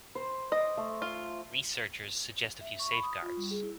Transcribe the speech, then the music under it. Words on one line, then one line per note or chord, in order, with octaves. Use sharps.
Researchers suggest a few safeguards.
C5
D#5 D6
A3
F4
E5
C#6
B5
D#6
F4
G3
G#4
E4